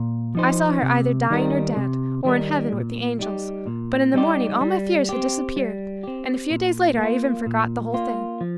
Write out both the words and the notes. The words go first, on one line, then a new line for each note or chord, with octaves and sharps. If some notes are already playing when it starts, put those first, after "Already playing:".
I saw her either dying or dead, or in heaven with the angels; but in the morning all my fears had disappeared and a few days later I even forgot the whole thing.
Already playing: A#2
F3 D#4 C5
C3
D#3 G3 D#4 A#4
C3
D#3 G3 D#4 A#4
A#2
G3 D#4 G4
A#2
G3 D#4 G4
G3
C4 G4
G3
C4 G4
A#2
A#3
F4
A#2
A#3 F4
F3